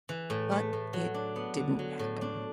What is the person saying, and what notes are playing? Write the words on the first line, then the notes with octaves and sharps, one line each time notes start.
But it didn't happen.
E3
A2
A3
A2
F#3
D4
B3
D3
F#3
A2
D4